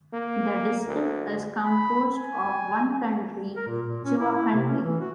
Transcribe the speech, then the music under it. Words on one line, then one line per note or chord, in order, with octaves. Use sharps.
The district is composed of one county: Chua County.
A#3
D2
B5
G#5
A#4
A#2
A#2
C#4
E4
E4
C3
C#4
E3
F#4